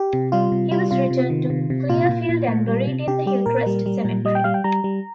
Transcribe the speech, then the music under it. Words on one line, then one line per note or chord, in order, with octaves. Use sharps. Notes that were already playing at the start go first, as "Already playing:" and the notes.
He was returned to Clearfield and buried in the "Hillcrest Cemetery".
Already playing: G4
C3
G3 F4
C3
G3 F4
C3 F4
C3
D#3
C3
C3
A#2 F4
A#2
A#2
A#2
G3
C3
C3 G4
G3 G4
A#2 A#4
G3
G3
A#2
G3 D#5
G5
G3 F5
G5
G3 A#5
G3